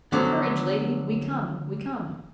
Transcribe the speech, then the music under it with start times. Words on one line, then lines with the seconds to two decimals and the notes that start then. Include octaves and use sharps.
"Courage, lady; we come! we come!"
0.12 D3 F3 F#3 B3 C#4